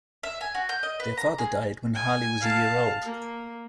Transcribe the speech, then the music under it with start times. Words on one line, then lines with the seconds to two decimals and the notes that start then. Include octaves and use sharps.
Their father died when Harley was a year old.
0.23 E5
0.41 G#5
0.55 F#4
0.69 G6
0.83 D#5
1.00 B4
1.17 A#5
1.38 G#4
1.95 G#5
2.41 F5 A5
3.04 A#3